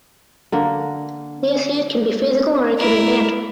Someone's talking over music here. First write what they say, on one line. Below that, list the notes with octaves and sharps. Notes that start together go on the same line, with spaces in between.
This hit can be physical or it can be mental.
D3 A#3
E4 A#4